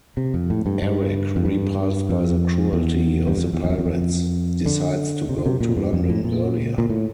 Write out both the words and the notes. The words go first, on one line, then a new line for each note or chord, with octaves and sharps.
Eric, repulsed by the cruelty of the pirates, decides to go to London earlier.
C3
F2
A2
G2
G2
F2
G2
F2
E2
G2
F2
E2
E2
F2
E2
F2
D3
C3
D3
C3
A#2
G2
F2
A2
A#2
A#2
A2